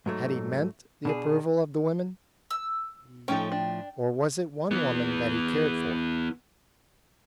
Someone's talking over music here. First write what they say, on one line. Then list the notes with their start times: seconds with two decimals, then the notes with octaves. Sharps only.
Had he meant the approval of the women, or was it one woman that he cared for?
0.06 G#2 F#3 A3
1.05 B2 D4 G#4
2.51 E6
3.28 A2 F3 C#4 D#4 A4 G5
3.52 D4
4.71 E3 B3